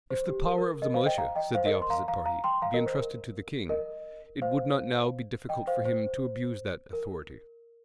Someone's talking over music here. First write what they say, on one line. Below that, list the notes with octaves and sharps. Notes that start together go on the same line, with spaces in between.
If the power of the militia, said the opposite party, be intrusted to the king, it would not now be difficult for him to abuse that authority.
C5
G4
A#4
A#4
A#4 D#5
C5 F5
D#5 G5
F5 A#5
D#5 G5
C5 F5
A#4 D#5
C6
F5 A#5
F5 A#5
F5 A#5
G5 C6
F5 A#5
A#4 D#5
C5
A#4
A#4 D#5
C5 F5
D#5 G5
C5 F5
C5
A#4